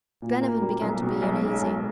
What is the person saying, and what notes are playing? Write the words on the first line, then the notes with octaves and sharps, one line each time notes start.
Glenarvan began to be uneasy.
A#2
A#3
G3
B1
B2
B1
G#3
B1